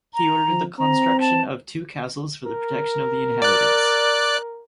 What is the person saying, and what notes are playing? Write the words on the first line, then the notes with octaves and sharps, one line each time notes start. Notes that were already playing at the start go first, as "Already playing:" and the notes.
He ordered the construction of two castles for the protection of the inhabitants.
A#5
F3
C4 A#5
A5
A#4
D5 F#6